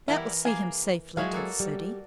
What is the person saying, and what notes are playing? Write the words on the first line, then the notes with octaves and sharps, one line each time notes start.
That will see him safely to the City.
E3 G3 B3 E4 A#4
A#3 G#4 G#5
F3 F#3 G#3 E4 F#4 G#4 C#5 F5
A#3 F#4 A4
G3